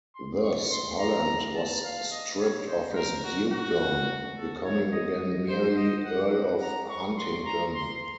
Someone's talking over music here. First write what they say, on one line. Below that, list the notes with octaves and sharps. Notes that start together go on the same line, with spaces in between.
Thus Holland was stripped of his dukedom, becoming again merely Earl of Huntingdon.
C6
C#6
C6
A#5
A5
F5
D#5
C#5
C5
A#4
F#4
F#4
A4
C#5
D#5
C5
D#5
F#5
F#5
A#5
C#6
C6
A#5
C6